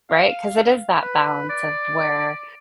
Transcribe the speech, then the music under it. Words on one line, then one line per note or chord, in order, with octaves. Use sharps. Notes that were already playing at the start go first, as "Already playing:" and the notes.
Right, 'cause it is that balance of where
F5
B4
D5